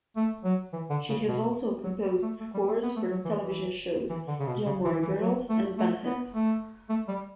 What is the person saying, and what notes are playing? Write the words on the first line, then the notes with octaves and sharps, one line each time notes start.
She has also composed scores for the television shows "Gilmore Girls" and "Bunheads".
A3
F#3
E3
D3
C#3
B2
F#3
G3
A3
A3
G3
A3
B3
A3
F#3
E3
E3
E3
D3
C#3
B2
C#3
E3
E3
F#3
A3
A3
B3
A3
A3
G3